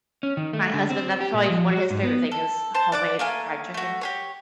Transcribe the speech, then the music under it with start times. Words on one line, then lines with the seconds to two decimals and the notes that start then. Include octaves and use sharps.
my husband, that's probably one of his favorite thing is homemade fried chicken.
0.23 C#4
0.37 D#3
0.53 A3
0.74 D3
0.90 C4
1.21 G4
1.34 A#2
1.50 F3
1.71 F#4
1.90 G#2
2.03 B3
2.32 A4
2.74 C5 A5
2.92 D5 F#5 D6
3.19 A3 A#3 G#5
3.74 A3 F#4
4.01 G4 G#4 C#5